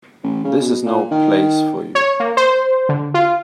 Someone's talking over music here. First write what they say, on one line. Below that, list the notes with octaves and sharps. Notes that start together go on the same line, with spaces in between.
This is no place for you.
A1
C#3
B2
A#2
D#3
C#5
A#3
C5
D3
F4